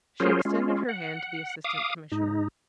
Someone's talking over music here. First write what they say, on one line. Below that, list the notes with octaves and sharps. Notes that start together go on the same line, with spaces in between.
She extended her hand to the Assistant Commissioner.
F#3 C#4 F4 G#4 A#4 C5
G#3 C#4 F4
F#5
F5 D6 D#6
G#2 D#4